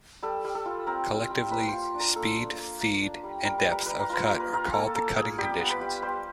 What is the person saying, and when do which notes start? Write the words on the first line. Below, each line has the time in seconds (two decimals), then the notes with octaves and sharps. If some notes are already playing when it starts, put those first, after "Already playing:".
Collectively, speed, feed, and depth of cut are called the cutting conditions.
0.23 G3 A4
0.45 G3
0.55 A4
0.66 F4
0.87 C4 A#4
1.09 G3
1.30 G3
1.51 A#3 B4
1.68 F4 C5
1.94 D4
2.00 A#4
2.15 A#3 A4
2.37 D4
2.59 A#3
2.81 A#3
3.02 D4
3.24 G3
3.45 G3 A#4
3.58 B4
3.66 G3
3.71 A#4
3.86 G3 B4
3.99 A#4
4.09 F4 B4
4.26 A#4
4.31 A#3
4.40 B4
4.53 F4 A#4
4.73 A#3 A4
4.96 A#3 A4
5.16 A#3 G#4
5.38 G3 G4
5.60 B3
5.70 B4
5.81 G3
6.02 G3 C5